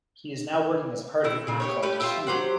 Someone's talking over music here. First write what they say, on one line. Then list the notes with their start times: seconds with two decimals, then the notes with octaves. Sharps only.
He is now working as part of a group called "Q".
1.24 A3 C4 E4
1.47 A#2 C#3 F#4
1.60 B3 G4 C#5
1.83 A3 C#4 G4 B4
2.00 F4 G4 E5
2.27 F#3 G4 C5 F#5